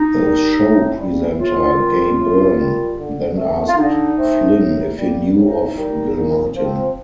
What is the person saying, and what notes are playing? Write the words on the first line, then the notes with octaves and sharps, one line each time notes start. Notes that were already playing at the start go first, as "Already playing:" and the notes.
The show presenter Gay Byrne then asked Flynn if he knew of Gilmartin.
Already playing: D#4
G3 A#3
A2
G3 A#3
A2 F4
G3 A#3
A2
G3 A#3
D3
A3 C4
F4
D3 D#4
A3 C4
A2
G3 A#3
A2 D#4
G3 A#3
A#2
F3 C4